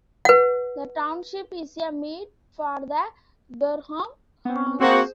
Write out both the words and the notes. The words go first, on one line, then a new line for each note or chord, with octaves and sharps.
The township is a meet for the Durham hounds.
B4 F#5
B3 C4
A#3 C4 F#4 G#4 C5